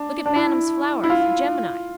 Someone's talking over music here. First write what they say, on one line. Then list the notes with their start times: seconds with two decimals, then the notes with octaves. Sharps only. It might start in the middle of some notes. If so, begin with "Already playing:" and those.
Look at Bantam's flowers. Gemini.
Already playing: D4
0.26 D4
0.36 E4
1.04 E4
1.10 F4